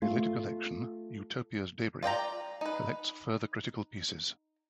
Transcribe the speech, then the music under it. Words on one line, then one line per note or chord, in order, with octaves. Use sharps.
A later collection, "Utopia's Debris", collects further critical pieces.
A3 F4
F4 D5 G5 A#5
D#4 B4